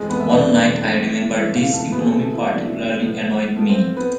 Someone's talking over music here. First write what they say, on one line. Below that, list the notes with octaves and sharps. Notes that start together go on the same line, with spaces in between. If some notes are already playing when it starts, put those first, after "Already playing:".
One night, I remember this economy particularly annoyed me.
Already playing: F2 E3 G#3 A3 C4 G#4
B3 B4
E5
F2 E3 A3 C4 D4 D5
A2 E3 G#3 C4
A2 E3 G#3 C4 E4 E5
F4 F5
A3 A4
B2 A3 B3 C4 B4
G#4
A3 A4
A3 A4
E4
B2 A3 C4 D4
E4
A2 F3 B3
A2 F3 A3 B3 A4
C4 C5
B3 B4